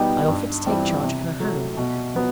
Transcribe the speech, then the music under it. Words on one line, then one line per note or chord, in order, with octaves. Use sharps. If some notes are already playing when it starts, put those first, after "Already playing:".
I offered to take charge of her home.
Already playing: B2 G3 B3 D#4 G4
G2
E3 G3 C4
C3
F#3 A3
B2
F#3 B3